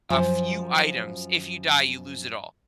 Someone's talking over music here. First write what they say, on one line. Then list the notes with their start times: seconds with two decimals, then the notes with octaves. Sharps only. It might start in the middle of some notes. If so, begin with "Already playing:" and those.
a few items if you die, you lose it all.
0.10 F#2 F3 F4 C5 G#5